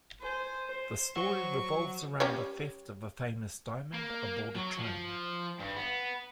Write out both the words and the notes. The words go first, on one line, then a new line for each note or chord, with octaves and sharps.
The story revolves around the theft of a famous diamond aboard a train.
C5 G#5
C5
F#3 F#4 C5 C#6 G7
G3 C#4 C#5
A#3
F#3
F3
G2
B3